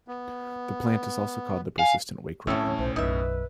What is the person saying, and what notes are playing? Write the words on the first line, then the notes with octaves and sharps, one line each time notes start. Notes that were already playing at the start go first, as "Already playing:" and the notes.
The plant is also called the persistent wakerobin.
B3
F5 G#5
A2 C4 C#4 A4 C#5 E5 E6
B1 C5
B1 F#2 D#4 B4 E5